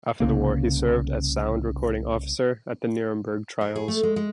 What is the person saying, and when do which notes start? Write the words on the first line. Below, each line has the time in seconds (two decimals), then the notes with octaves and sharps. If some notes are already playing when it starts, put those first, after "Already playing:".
After the war, he served as Sound Recording Officer at the Nuremberg Trials.
0.20 C2 C#3 A#3
3.61 A#4
3.76 G#4
3.88 A3
4.03 G#3
4.16 G#3